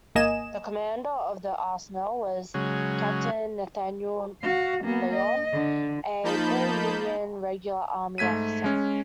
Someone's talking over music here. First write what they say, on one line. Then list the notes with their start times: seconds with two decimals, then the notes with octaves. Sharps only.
The commander of the Arsenal was Captain Nathaniel Lyon, a pro-Union regular Army officer.
0.15 G#1 A#3 D#5 G#5 E7
2.54 C#3 F#3 G#3
4.42 F#4 F5
4.84 A#3 B3
5.14 D#5
5.53 D3
6.23 F3 A#3 D#4 A5 B5 G6
8.18 G#2 A3 G#6 B6 D#7
8.64 G#3 C#4